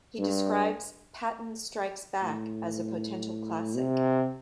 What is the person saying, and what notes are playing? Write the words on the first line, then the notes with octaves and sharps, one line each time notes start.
He described "Patton Strikes Back" as "a potential classic".
G2
A2
C3